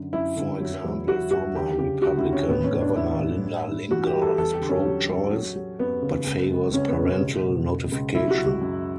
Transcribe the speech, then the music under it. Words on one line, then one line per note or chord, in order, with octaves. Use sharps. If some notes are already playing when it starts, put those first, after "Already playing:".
For example, former Republican Governor Linda Lingle is pro-choice, but favors parental notification.
Already playing: F#2 D3
F#2 E4
D3
F#3
E2
F#3 F#4
F#3 F#4
D2 G4
C#3 G4
D2 F#4
E4
D2
C#4
A2 B3
C#4
A2
D4
A2 E4
A2
G2
G2
E3 F#4
G4
G3
A4
E2 A4
G4
D3
C#4
F#3
F#3
F#3
F#3
F#2 B3
C#3
C#2
C#2
C#2 C#4
B3
B2
C#4
C#2
B2
C#2
C#2
F#2 E4
F#4
F#2
F#4
F#2